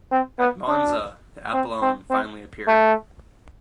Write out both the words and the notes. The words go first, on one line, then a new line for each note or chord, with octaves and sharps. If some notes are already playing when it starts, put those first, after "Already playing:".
At Monza the Apollon finally appeared.
C4
B3
D4
C4
C4
C4
A3